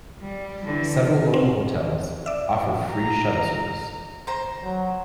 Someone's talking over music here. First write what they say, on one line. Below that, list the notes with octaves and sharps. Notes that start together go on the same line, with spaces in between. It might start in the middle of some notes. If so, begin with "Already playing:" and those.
Several local hotels offer free shuttle service.
G3
D3 E3
C4
D5 E5
A#5
C5 A#5
F#3